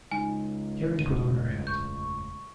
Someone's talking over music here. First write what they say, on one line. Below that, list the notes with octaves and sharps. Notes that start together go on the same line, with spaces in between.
Carrie put on her hat.
C#2 G#3 D#4 G#5
F#1 E2 A2 D#7
C#6 G6